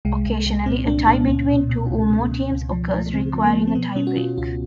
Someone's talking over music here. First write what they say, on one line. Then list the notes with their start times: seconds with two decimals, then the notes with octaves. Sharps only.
Occasionally, a tie between two or more teams occurs, requiring a tie-break.
0.05 C2 G#3
0.26 C2
0.46 C2
0.66 A#2 C4
0.87 C2 D4
1.07 A#2 D4
1.28 C#2 C#4
1.49 B2
1.69 B2
1.89 C#2
2.10 B2
2.32 B2
2.52 C#2
2.72 F3
2.93 F3
3.14 C#3 C4
3.34 F3
3.44 A#3
3.54 F3
3.67 C4
3.75 B2 B3
3.95 B2 C#4
4.07 F#4
4.16 B2 F4
4.38 C#2 F4